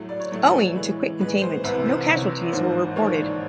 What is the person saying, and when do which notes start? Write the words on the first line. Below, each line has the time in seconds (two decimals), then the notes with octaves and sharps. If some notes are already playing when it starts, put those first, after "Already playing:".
Owing to quick containment, no casualties were reported.
Already playing: A2 F#3 A3
0.09 D5
0.20 C#5
0.31 A2 F#3 A3
0.75 A2 E3 G#3 B3
1.19 A2 E3 G#3 B3 B4
1.42 C5
1.64 C2 C3 E3 B4
1.86 C5
2.08 C2 C3 E3 C#5
2.52 A1 G#2 F3 A#3 C5
2.96 A1 G#2 F3 A#3 C#5
3.18 D5